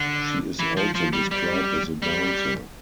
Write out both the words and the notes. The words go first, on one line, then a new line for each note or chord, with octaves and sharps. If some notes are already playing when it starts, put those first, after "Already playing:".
She is also described as a dancer.
Already playing: D3
E3
F3
F3
G3
G3
G3